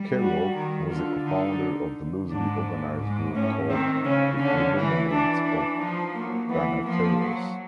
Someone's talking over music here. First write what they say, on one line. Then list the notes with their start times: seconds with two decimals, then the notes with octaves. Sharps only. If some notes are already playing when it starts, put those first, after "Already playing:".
Carroll was a co-founder of the loosely organized group called the Illuminates of Thanateros.
Already playing: G3
0.20 F#4
0.55 D#3
0.90 D3 F4
1.25 D3 D#4
2.30 G#2 D4
3.00 G#2
3.34 A2 C#4
3.69 D#3 C4
4.04 C#3 C#4
4.39 D3 C#4
4.75 E3
5.10 E3 D4
5.45 D4
5.80 F3 D#4
6.14 F#3 A#3
6.49 E3 B3
6.84 F3 A#3
7.20 F#3